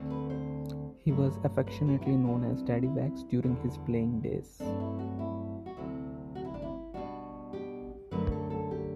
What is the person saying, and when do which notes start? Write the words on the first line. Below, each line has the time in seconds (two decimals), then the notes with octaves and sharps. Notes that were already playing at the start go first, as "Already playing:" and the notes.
He was affectionately known as "Daddy Wags" during his playing days.
Already playing: D2 D3 A3 C4
0.10 B4
0.30 C5
1.08 G2 F#3 A3
1.67 B4
1.87 G4
2.01 E4
2.05 F#4
2.25 C3 E3 G3 C4 D4
2.84 E4
3.43 E2 D3 G3
4.60 G2 F#3 A3 C4 D4
4.80 E4
4.99 F#4
5.19 E4
5.66 F#4
5.77 D2 C3 F#3 C4 E4
6.35 F#4
6.45 E4
6.54 D4
6.62 E4
6.94 B2 G3 D4 F#4
7.53 G4
8.11 F#2 D3 F#3 A3 D4 B4
8.32 A4
8.50 A4
8.71 G4